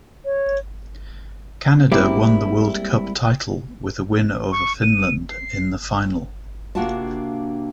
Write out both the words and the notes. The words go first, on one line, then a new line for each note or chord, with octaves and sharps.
Canada won the World Cup title with a win over Finland in the final.
C#5
G3 G#3 A#3 C4 E4 G4
C#6
D#7
C7
C3 A#3 D4 F4 F#4 A5